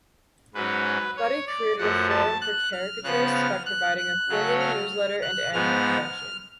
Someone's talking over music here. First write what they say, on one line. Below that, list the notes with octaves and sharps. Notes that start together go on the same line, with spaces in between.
Buddy created a forum for caricaturists by providing a quarterly newsletter and annual convention.
G#2 F#3 C#4 B4
C#5
D5
F#2 F3 A3 F#5
A5
F#6
F6
C#3 F3 B3 F#6
F6
F#6
F#6
C#3 F#3 A3 C#4
F6
F#6
G#2 F3 G#3 B3 F6